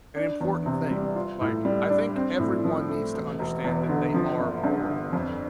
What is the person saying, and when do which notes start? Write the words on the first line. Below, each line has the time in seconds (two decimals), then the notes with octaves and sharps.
an important thing, like, I think everyone needs to understand that they are mortal.
0.16 D4
0.41 E2
0.66 C3
0.91 G3
1.15 F4
1.41 A2
1.65 G3
1.90 D4
2.16 C4
2.39 A2
2.65 F3
2.89 A3
3.14 E1
3.39 E1
3.64 E2
3.89 D3
4.14 F3
4.39 G1
4.64 G2
4.89 D3
5.13 F2